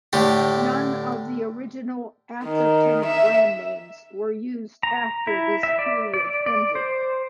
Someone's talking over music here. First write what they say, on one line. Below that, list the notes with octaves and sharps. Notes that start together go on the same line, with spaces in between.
None of the original Atherton brand names were used after this period ended.
A2 D3 A3 G4
D#3
E5
A#5
E4
E5
D5
D5
D5
C5